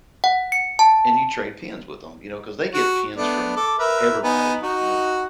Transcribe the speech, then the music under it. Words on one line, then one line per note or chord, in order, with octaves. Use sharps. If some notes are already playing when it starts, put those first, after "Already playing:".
and you trade pins with 'em, you know, 'cause they get pins from everybody. You know, th
F#5
C#7
A5
F#4
A3 B3 D4
A4 D6
A#4 B4 E5
B3 D#4 G#5
D#4 F#4 F#5